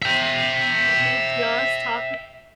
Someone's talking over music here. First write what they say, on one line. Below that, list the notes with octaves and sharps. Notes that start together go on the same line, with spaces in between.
Didn't they just talk
E5 G5